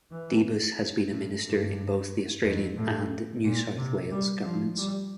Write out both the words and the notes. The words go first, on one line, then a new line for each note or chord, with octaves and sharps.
Debus has been a minister in both the Australian and New South Wales governments.
E3
A2
G2
F2
A2
A#2
C3
G3
F3
G3